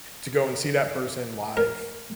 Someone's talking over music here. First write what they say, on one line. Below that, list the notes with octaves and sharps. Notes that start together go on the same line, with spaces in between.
to go and see that person live,
A#4